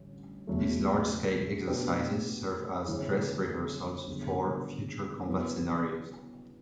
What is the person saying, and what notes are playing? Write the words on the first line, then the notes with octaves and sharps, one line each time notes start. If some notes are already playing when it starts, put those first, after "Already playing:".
These large-scale exercises serve as "dress rehearsals" for future combat scenarios.
Already playing: A1 G2 D3 C#4
F#1 E2 B2 F#3 A3
B2 A3 D4 G4 B4
G1 F#2 C#3 E3
G1 F#2 C#3
C#3 F#3 B3 E4